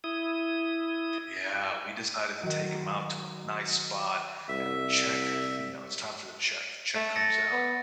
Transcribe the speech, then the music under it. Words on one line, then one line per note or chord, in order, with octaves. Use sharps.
Yeah, we decided to take him out to a nice spot and check you know, it's time for the check. Check comes out
E4 D#6
D#3 F#3
C2 E5
A3
A6 A#6 C#7
B3